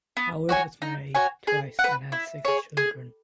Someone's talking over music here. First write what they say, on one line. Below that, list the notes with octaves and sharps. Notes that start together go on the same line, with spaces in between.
Howard was married twice and had six children.
B3
F#4 C#5 G#5
D#4
F#4 C#5 G#5
G#4
F#5
B4
E4
G#4 C#5
G#4